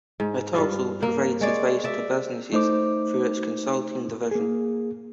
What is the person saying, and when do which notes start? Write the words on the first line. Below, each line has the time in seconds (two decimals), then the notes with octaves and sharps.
It also provides advice to businesses through its consulting division.
0.20 G#2
0.54 G2 F4
1.03 A#3
1.41 G#3 C#5 D5
1.84 D5 E5
2.53 A3 D#4 C5 D6
4.31 A#3 G#4